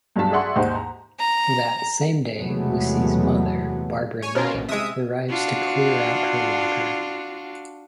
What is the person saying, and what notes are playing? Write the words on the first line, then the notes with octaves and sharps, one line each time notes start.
That same day, Lucy's mother, Barbara Knight, arrives to clear out her locker.
B1 G2 F#3 F4 A5 B6
G#4 D5 E5 F#5 C6 C#6
D#2 G#2 C5 D#5 F#5 C6
A#5
A#5
E2 C3 F#3 G#3 A3 B3
C#5 G#5
B2 C#4 F4 A#4
A#1
C3 G#3 E5 D#6
D4 F4 F#4